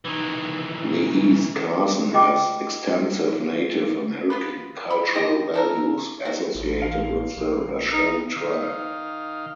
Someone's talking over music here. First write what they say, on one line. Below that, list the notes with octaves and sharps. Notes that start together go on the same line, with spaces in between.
The East Carson has extensive Native American cultural values associated with the Washoe tribe.
D#3 E3
F4 G#4 D#5 G5 D6
B3 F4 B4
B5
F4 G4 D#5
E3 A4 A#4
C3 F#4
A1
F5
A#1
D#4
D#3 F5